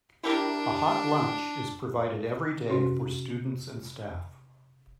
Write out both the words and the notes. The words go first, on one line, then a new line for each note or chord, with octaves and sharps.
A hot lunch is provided everyday for students and staff.
D4 E4 G4 A#4
C3 C#4 F#4 C6